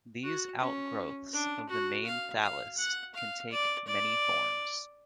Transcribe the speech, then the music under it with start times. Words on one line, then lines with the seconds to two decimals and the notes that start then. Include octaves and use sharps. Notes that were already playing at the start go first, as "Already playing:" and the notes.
These outgrowths of the main thallus can take many forms.
0.23 F#4
0.59 C#4
1.33 D4
1.69 F#4
2.05 F5
2.42 F5
2.78 F#5
3.15 F5
3.52 D5
3.87 D5